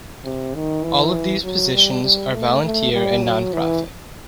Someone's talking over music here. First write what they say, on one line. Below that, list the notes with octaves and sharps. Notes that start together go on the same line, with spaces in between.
All of these positions are volunteer and nonprofit.
C3
D#3
E3
F#3
G3
G3
A3
A3
G3
F#3
E3